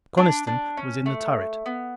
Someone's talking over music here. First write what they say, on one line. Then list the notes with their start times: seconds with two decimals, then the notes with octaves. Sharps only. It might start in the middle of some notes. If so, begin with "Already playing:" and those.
Coniston was in the turret.
0.17 D4
0.47 D4
0.77 C#4
1.06 A3
1.66 B3